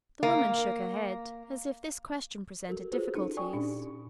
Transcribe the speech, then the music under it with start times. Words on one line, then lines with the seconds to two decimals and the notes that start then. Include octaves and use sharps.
The woman shook her head as if this question presented difficulties.
0.23 A#3
2.69 F#4 A4 A#4
2.92 F4 F#4 G#4 A4 B4 C5
3.15 C#4 D#4 A4
3.37 D5 G5 G#5 C#6 D#6
3.53 A#2 C#4 D4